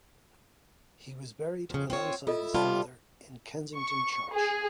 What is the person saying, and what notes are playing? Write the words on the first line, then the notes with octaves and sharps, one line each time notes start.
He was buried alongside his father in Kensington Church.
F2 C#3
C4 F4 C#5
E4 F4 A4 D#5
C3 G3 F4 D5 A5 B5
C#6
G#4